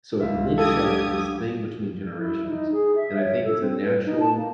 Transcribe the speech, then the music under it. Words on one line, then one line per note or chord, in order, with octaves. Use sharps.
So it links up this thing between generations, and I think it's a natural
C#2 F4 E5
F#3 D4 G4 A4 F5 D#6 G#6
E4
D#4
G#4
E5
C#5
A4
C4
B4
D#4
A5
A#3